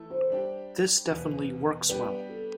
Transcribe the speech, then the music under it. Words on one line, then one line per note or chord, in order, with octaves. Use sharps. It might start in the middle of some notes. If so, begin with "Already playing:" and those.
This definitely works well.
Already playing: E3 A3 E4 A4
C5
G3 D4 G4
E2 B2 B3 F4
G3 B3 D4 G4 B4
A4